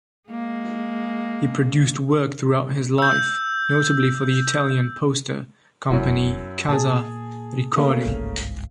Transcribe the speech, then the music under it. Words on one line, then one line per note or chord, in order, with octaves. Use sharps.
He produced work throughout his life, notably for the Italian poster company Casa Ricordi.
G#3 A#3
E6 G6
F1 F#2 E4 F#4
A#2 G#4 A5
C#3 A3 A#3
G1 C2 G#2